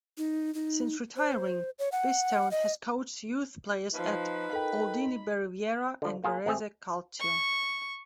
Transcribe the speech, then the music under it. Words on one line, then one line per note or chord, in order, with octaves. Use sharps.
Since retiring, Pistone has coached youth players at Aldini Bariviera and Varese Calcio.
D#4
D#4
C5
C#5
F#5
D#5
F3 D#4 B4
A4 A#4 G5 B5
D3 F3
A#3 F4 G#4 A#4
G#1 A3 C4 G#4 E5
C#6